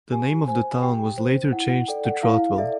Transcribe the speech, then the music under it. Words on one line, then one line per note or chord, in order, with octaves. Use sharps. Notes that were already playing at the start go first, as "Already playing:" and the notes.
The name of the town was later changed to Troutville.
G4 G#5
C5 G#5
G4 G5
C5
E4 F#5
F#5
A4 D5 G5
F#5
E4 F5
A4 D5 E5